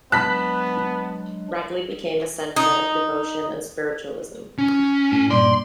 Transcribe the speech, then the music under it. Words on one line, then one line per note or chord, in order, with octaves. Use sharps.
Ragley became a centre of devotion and spiritualism.
F#3 G#3 B3 D4 A5 B5 F#6 B6
D#4
C#4
A2
G2 A#2 D5 C6